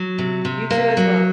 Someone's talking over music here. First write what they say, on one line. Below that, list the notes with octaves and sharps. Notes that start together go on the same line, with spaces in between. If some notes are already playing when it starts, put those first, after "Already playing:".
You too as well.
Already playing: F#3
C3
C3
A#3
F#3